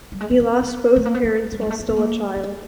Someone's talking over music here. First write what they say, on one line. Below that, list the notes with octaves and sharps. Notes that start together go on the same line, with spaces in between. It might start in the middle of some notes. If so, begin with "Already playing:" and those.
He lost both parents while still a child.
G3
G#3
A#3
C4
C4
B3
A3
A#3
B3
A#3
G#3
G3
G#3
A3
A#3
B3
A#3
A#3